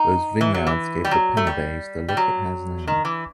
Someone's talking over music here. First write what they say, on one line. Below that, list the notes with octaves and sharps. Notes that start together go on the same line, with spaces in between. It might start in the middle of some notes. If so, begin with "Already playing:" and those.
Those vineyards gave the Penedès the look it has now.
Already playing: D#4
E3
F#3
E3
G3
F#3
A3
G3
G3
F#3
D#3
E3